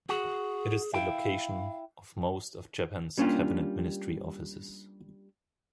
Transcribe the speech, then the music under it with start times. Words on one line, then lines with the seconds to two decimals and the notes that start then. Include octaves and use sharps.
It is the location of most of Japan's cabinet ministry offices.
0.09 F#4 G#4
0.93 E4 F5 G5
3.18 G3 A#3 C#4 D4 F4 G4